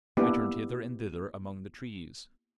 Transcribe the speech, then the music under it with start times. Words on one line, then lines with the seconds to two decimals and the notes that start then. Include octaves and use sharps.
I turned hither and thither among the trees.
0.17 A#3 B3 D4 E4 G4 B4